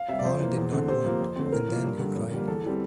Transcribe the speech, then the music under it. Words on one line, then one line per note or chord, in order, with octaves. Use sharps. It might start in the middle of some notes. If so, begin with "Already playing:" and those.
Paul did not want and then he cried.
Already playing: F5
C3 G3 E5
D5
F2 C5
E3 A#3
E2
D3 A3 C4
C3 C5
F3 A#3
F2
D3 A3 C4
C5
A2 A#4
F3 A#3
G2
D3 G3
F2
D3 G3 A#3
E2 A4
E3 G3 C4